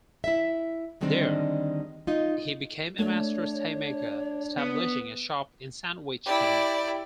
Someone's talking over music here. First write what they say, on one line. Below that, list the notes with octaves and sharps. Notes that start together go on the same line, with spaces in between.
There, he became a master stay-maker, establishing a shop in Sandwich, Kent.
E4 E5
D3 D#3 G3 G#3 C4 D4
D#4 F4
A3 D4 C#5
B3
E4 G4 D5